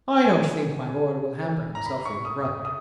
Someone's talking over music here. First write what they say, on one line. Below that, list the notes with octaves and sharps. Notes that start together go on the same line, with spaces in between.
"I don't think my Lord will hamper himself for your brother."
G#5
A#5
B5
C#6
D#6
D#6
D#6